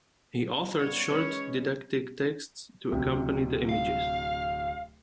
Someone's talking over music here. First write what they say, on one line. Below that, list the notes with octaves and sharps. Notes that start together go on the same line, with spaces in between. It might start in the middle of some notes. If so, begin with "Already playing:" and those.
He authored short didactic texts to accompany the images.
G2 B3 C#5
G#3 C#4 B4
D1 C3
F5